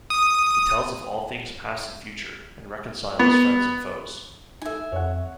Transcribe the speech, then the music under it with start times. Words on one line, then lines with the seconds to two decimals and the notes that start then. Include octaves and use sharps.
He tells of all things past and future, and reconciles friends and foes.
0.10 D#6
3.19 B3
4.62 D#4 A4 E5 G#5
4.92 F2 C#5 F#5